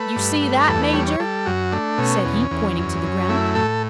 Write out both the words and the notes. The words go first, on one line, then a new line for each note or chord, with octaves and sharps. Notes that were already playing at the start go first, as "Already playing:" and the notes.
"You see that, major?" said he, pointing to the ground.
Already playing: A3 B4
G2
A3
E2 A4
B4
G3 C#5
C#5
G3 A4
F#2 F#4
A3 D4
B2 C#4
E2
E2
F#2
F#2
A3 E4
A2 A4